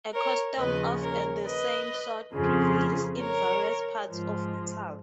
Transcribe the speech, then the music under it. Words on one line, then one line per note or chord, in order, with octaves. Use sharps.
A custom of the same sort prevails in various parts of Italy.
A#4 C#5
D#2 C#3 F3 B4 D#5
A#4 C#5
B4 D#5
F2 C#3 F3
A#4 C#5
G#2 F3